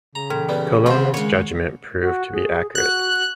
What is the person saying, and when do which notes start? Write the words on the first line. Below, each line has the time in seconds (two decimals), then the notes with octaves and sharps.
Colonna's judgement proved to be accurate.
0.15 C#3 A#5
0.30 A#2 E3
0.49 G3 B3
0.86 D#3 B3 C4 F4 G4 C5
1.14 G#3 A#3 C#5
2.01 F#4
2.32 G#4
2.75 F#4 F#6